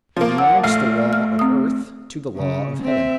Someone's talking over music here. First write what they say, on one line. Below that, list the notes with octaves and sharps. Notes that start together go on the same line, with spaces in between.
He denounced the law of earth to the law of Heaven.
F3 A#3
F#5 E6
A#1 A3 F5 C7
F6
C4 D#6
C#3
C4 E5